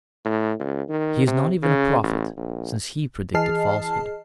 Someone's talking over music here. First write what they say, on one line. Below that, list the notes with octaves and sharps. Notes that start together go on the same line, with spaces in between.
He is not even a prophet, since He predicted falsehood.
A2
C#2
D#3
C3
C#3
A1
A#1
E3 G#4 D#5 A5 F6 C7